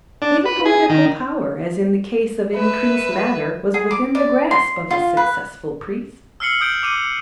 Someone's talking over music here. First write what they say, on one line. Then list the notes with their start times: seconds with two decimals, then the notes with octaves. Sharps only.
Even political power--as in the case of Increase Mather--was within the grasp of a successful priest.
0.22 D4
0.46 B4
0.65 G#4
0.89 D#3
2.55 B4 E5
3.74 G#4
3.91 D6
4.15 D5
4.51 C6
4.91 F4
5.17 B4
6.40 E6 F6 C7 C#7 F#7 G7
6.61 D#6 G6 D7
6.83 D6 D#7